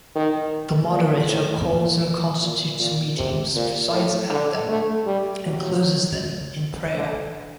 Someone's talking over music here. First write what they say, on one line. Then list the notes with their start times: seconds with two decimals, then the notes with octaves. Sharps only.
The moderator calls and constitutes meetings, presides at them, and closes them in prayer.
0.15 D#3
0.91 A#2
1.29 A2
1.66 A#2
2.42 A#2
2.79 A#2
3.17 C3
3.55 A#2
3.93 A2
4.31 D3
4.69 A3
5.06 G3
5.44 F#3
6.95 D3